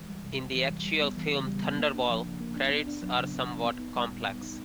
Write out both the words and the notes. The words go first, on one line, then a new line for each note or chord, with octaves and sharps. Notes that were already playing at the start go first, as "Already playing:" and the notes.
In the actual film "Thunderball", credits are somewhat complex.
Already playing: E3 G#3
G3
C3
F2
E3
G3
G3
B3
E3
C#3
G3
B3
A#3
D4
F3
C#3
A#3
D4
B3
D4
F#3
C#3
B3
D4
B3
D#4
G3
A#2
B3
D#4